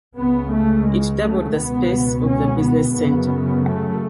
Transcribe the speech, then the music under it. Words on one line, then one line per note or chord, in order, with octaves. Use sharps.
It doubled the space of the business center.
C#2 C#3 B3
A3
G#3
A3
C#2 B2 B3
C#4
B3
F#2 C#3 B3
A3